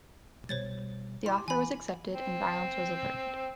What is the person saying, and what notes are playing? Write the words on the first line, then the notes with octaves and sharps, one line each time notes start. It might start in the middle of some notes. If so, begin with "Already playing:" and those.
The offer was accepted, and violence was averted.
C2 B2 G3 C5 C#5 A6
E4 G4 C6 D6
E3 G#5 B5
C4